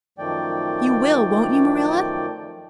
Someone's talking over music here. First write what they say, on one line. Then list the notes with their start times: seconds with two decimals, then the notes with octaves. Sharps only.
You will, won't you, Marilla?
0.18 F#2 D#3 F3 A3 D5 G5